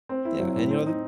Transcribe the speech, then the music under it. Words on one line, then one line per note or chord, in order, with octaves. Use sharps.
Yeah, and, you know, the
C4
E4
F#3
A2
C4
D#4